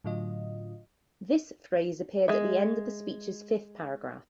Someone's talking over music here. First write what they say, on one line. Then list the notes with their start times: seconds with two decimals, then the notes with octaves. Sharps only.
This phrase appeared at the end of the speech's fifth paragraph.
0.04 A2 D3 F#3 F4 D#5
2.28 G#3 E5